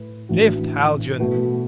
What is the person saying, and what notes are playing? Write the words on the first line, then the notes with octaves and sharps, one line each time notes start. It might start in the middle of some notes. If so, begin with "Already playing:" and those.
"Lift, Haljan!"
Already playing: A2 A3 B4
A1 A2 E3 D4 F#4
B2 A3 F#4 B4